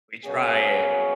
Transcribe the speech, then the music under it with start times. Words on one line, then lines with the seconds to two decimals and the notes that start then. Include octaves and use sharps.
We try it.
0.24 B2 F#3 A#3 C#4 G#4